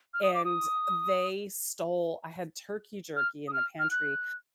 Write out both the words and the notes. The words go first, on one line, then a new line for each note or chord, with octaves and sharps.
and they stole I had turkey jerky in the pantry,
F6
D#6
D6
D#6
F6
D#6
F6
F6
F#6